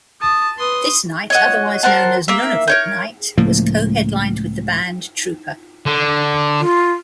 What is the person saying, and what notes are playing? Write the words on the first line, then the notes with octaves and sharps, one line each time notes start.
This night, otherwise known as "Nunavut night", was co-headlined with the band Trooper.
A5 D#6
B4 C6 D#6
C#5 D#5 F#5
A#4 C5 F#5 A5
A#3 E5
A#4 C#5 G6
C#2 A2 F3 A#3
D3
F4